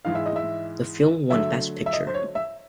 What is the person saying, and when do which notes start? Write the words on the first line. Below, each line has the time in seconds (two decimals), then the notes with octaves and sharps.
The film won Best Picture.
0.05 G#2 E3 G#3 F5
0.15 E5
0.26 D#5
0.36 E5
1.30 D3 F#3 A3 E5
1.86 E5
1.93 D#5
2.07 C5
2.14 C#5
2.35 E5